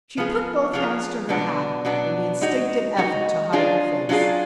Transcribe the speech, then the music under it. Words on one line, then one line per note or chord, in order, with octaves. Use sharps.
She put both hands to her hat in the instinctive effort to hide her face.
F3 B3 F4 G#4
F3 B3 F4 G#4
B2 F#3 B3 D4
B2 F#3 B3 D4
G#3 D#4 F#4
G#3 D#4 F#4
F#3 D4 F4 G#4
F#3 D4 F4 G#4